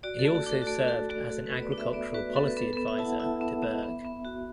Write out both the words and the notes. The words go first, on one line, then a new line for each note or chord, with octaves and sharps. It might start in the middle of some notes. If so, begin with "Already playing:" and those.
He also served as an agricultural policy advisor to Berg.
F#4 D5
A4
A3
F#4
D4 A4
F#4
A3 A4
F#4 A4
A3 F#4
F#4 A4
B4
B3
D5
D4
E5
B3 D5
F#4 B4
B3 A4
B4
B3 A4
B3 A4
E5
E4 A5
F#5
E4 E5
B3
B3
B3
B3
F#4